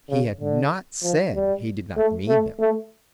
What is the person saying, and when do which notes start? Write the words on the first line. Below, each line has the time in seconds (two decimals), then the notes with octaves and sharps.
He had not said he did not mean them.
0.10 C#3
0.41 D3
1.03 F3
1.35 G3
1.97 A3
2.29 A3
2.60 A3